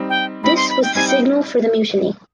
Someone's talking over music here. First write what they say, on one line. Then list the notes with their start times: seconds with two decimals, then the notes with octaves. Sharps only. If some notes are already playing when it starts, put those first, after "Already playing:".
This was the signal for the mutiny.
Already playing: G3 C4 D#4
0.09 G5
0.44 G3 C4 D#4 B5
0.56 C6
0.70 B5
0.82 G5
0.95 G3 C4 D#4 G#5
1.08 G5